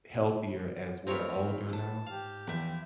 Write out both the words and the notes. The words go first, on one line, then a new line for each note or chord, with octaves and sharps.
healthier as we're older now,
D2 C4 F4 A#4 B4 C#5
G#2 A5
G4 F5
E2 F3 E5